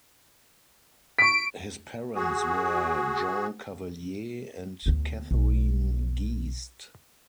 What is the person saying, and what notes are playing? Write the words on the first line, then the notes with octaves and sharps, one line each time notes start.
His parents were Jean Cavelier and Catherine Geest.
C#6 B6 D7
F#4 G#4
D2 B3
B1